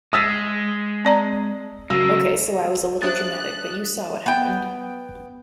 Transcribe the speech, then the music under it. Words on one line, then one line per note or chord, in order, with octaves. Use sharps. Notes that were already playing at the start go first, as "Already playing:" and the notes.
Ok, so I was a little dramatic, but you saw what happened!
G#3 D#6 E6 A6 B6
C4 D5 A#5
C#3 F#3 A#3 E6
D4 G4 C5 E5 D#6 F#6 A6
B3 G5